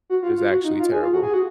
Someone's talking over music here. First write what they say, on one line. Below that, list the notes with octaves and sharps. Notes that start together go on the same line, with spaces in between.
It was actually terrible.
F#4
F4
F4
F#4
D#4
F4
G#4
F4
F#4
G#4
F#4